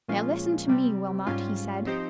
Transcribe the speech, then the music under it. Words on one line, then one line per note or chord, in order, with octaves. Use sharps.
"Now, listen to me, Wilmot," he said.
A#2 F3 G#3 C#4 F4
C3 G3 C4
G#2 G3 C#4 F4
F3 C4 D#4 G4 C5